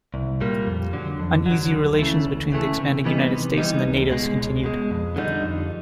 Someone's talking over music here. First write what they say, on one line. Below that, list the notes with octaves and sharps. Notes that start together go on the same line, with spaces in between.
Uneasy relations between the expanding United States and the natives continued.
C2
A#2 G3 A#3
F2
D3 F#3
F2
F#3
D3
D2
C#3 E3 A3
D2
C#3 E3 A3
C3
E3 G3 B3 D#4
C3
E3 G3 B3 D#4
C#2
B2 G#3
C#2
B2 G#3
F2
D3 G3 B3 D#4
F2